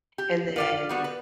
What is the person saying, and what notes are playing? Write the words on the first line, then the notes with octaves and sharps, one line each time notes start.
And then
G4
F4 D5 F5
G3 B3 F#4
B4